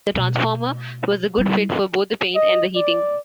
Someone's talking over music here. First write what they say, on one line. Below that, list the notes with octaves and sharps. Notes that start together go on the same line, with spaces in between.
The transformer was a good fit for both the paint and the heating.
B2 A3
G3 E4
D#5
D5